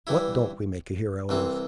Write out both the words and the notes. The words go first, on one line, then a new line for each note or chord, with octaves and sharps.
What don't we make a hero of?
G2 E3 G3 E4
C2 C3 E3 C4